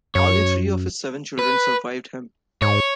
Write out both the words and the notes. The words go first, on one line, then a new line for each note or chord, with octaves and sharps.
Only three of his seven children survived him.
F#2 C#5
B4
G#2 C#5